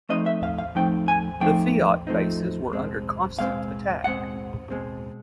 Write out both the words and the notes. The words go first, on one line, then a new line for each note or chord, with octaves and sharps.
The Fiat bases were under constant attack.
F3 A3 C4 D#4 D#5
E5
F5
F5
F3 A3 C4 D#4 G5
G#5
F3 A3 C4 D#4 G5
F3 A3 C4 D#4
B2 G#3 C4
B2 G#3 C4 F5
B2 G#3 C4 F#5
B2 G#3 C4